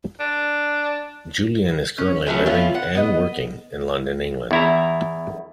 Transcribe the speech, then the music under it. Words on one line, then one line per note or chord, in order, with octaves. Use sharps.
Julien is currently living and working in London, England.
D4
C#4
E3 F#3 A3 C#4
B3 C#4 E4 F4
F#5
B3 D#5
E2 E4 A#5